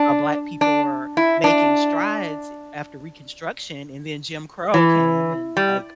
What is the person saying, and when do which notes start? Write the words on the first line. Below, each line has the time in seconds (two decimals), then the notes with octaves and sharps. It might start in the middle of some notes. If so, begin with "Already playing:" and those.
uh, black people were making strides, eh, after Reconstruction, and then Jim Crow came and, like,
Already playing: D4
0.61 D4
1.17 E4
1.44 D4
4.74 E3
5.57 G3